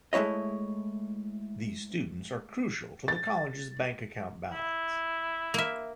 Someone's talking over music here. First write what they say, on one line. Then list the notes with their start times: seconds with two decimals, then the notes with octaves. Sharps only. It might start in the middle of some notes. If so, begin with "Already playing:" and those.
These students are crucial to the College's bank account balance.
0.13 G#3 A3 E4 C#5 D#5
3.08 A6
4.52 E4
5.54 A#3 E5